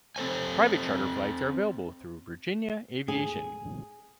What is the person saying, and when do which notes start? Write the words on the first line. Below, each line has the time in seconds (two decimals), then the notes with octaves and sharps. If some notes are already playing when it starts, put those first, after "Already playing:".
Private charter flights are available through Virginia Aviation.
0.16 C4 A4 C5 G#5
3.08 G#4